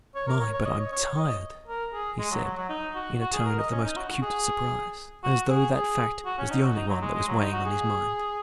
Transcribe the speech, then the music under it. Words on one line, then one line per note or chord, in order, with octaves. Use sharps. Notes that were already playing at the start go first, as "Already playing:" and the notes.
"My, but I'm tired!" he said, in a tone of the most acute surprise, and as though that fact was the only one that was weighing on his mind.
C#5
A#4
C#5
C#5
D#5
C#5
C#5
C#5
D#5
A#4
G#4
G#3
F#3
F#3
F#3
D#4
F#4
F#4
G#4
A#4
D#5
C#4
D#4
F#4
F#4
G#4
F#4
G#4
G#4
F#4
C#4
D#4
F#4
D#4
F#3
G#3
G#3
F#3
D#4
F#4
G#4